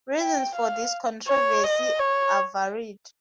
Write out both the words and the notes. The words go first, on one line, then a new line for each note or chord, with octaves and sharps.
Reasons for this controversy are varied.
G5
F5
C#5
D#5
C#5